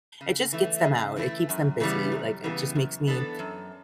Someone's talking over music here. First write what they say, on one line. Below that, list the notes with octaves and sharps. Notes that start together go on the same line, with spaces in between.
it just gets them out, it keeps them busy, like, it just makes me
C#3
E3 A3 E4
C#3
E3 A3 E4
F#2
C#3 E3 G3 B3
F#2
C#3 E3 G3 B3
F#2
E3 B3 D4 A4
F#2